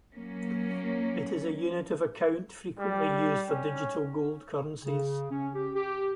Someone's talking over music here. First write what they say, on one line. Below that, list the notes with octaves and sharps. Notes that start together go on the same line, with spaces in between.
It is a unit of account frequently used for digital gold currencies.
F#3 A#3 C#4
G3
C#4
C#3
C#4
G4
G4